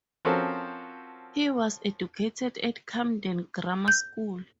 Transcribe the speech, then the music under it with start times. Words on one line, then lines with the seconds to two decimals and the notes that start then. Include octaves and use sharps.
He was educated at Camden Grammar School.
0.25 F3 C4 C#4 F#4 A4 A#4
3.88 G6